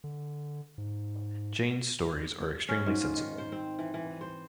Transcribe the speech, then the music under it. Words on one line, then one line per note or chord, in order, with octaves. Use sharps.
Jane’s stories are extremely sensible.
D3
G#2
C#4
G#2
F4
D#3
C5
C4
E3
E3
C5